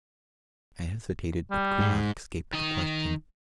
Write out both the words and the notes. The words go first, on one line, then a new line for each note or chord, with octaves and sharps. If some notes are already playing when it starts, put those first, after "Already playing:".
I hesitated but could not escape the question.
G3
G#2
D#3 D#5